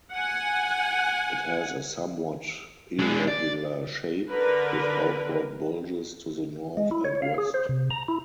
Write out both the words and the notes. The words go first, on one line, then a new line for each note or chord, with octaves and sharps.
It has a somewhat irregular shape, with outward bulges to the north and west.
F#5 G#5
G#3 D4
D5
D3 A#4 B4
G#3
E4
C#5
F5
G#4
C5
C3
A#5
E4